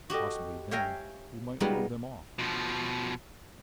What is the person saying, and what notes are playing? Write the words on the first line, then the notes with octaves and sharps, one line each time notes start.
Possibly then we might hold them off.
F#4 G4 A4 D#5
C#5 E5 F5 G5 G#5 A#5
G3 G#3 B3 D#4 F4 F#4
B2 F3